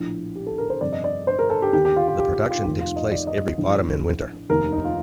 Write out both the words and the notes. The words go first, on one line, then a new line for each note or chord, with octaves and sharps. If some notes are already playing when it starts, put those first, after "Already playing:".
The production takes place every autumn and winter.
Already playing: A#1 A2
G4
A4
A#4
C5
G1 F2 C3 D5
D#5
D5
C5
A#4
A4
G4
D#2 D#3 G4
G4
F4
F4
G4
F4
F4
F1 D#2 D#3 F4
F4
D#5
D5
D#5
A#1 A2
F1 D#2 D#3 A#4
D#4
F4